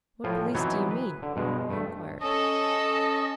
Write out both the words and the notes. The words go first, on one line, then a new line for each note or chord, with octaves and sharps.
"What police do you mean?" I inquired.
A2 F3 F4 A#4 G#5
E3 F#3 B3 C4 D#4 C#5
B4
D3
G2 B2 G#3
G2 A3
C#4 A4 D#5